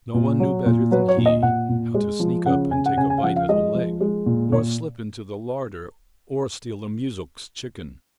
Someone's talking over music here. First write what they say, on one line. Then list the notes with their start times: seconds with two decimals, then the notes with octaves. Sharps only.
No one knew better than he how to sneak up and take a bite at a leg, or slip into the larder or steal a muzhik's chicken.
0.14 A#2
0.40 F#3
0.66 A#2
0.91 F#3 B4
1.08 C#5
1.17 A#2
1.26 D#5
1.43 A#2 F#5
1.69 A#2
1.94 G#3
2.20 F3
2.46 C#3 F#5
2.71 C#3 G#5
2.86 F#5
2.97 C#3 G#5
3.10 G#5
3.18 F5
3.23 F3 F#5
3.36 F5
3.49 G#3 D#5
3.75 F3
4.01 G#3
4.26 A#2
4.52 A#2 C#5